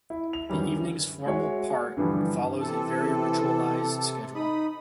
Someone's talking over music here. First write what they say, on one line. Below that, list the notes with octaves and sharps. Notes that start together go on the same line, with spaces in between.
The evening’s formal part follows a very ritualized schedule.
E4
F7
F#2 D#3 E3 F#3 G3
D3
G#3 F#4 C#5 E5
G2 D3 E3 F3 G3
C3 E3 A4
D#4 B5 D#6